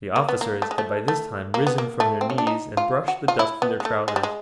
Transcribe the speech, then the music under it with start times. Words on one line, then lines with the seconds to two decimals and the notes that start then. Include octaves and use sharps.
The officers had by this time risen from their knees and brushed the dust from their trousers.
0.16 A#3
0.29 B3
0.41 A#3
0.62 A3
0.71 G#3
0.78 A3
1.08 A3
1.54 A#3
1.67 B3
1.78 A#3
2.00 A3
2.21 C4
2.30 C#4
2.38 D4
2.47 D#4
2.77 F4
3.08 F#4
3.28 F4
3.39 E4
3.62 B3
3.80 G#3
3.85 A3
4.08 G#3
4.16 G3
4.23 G#3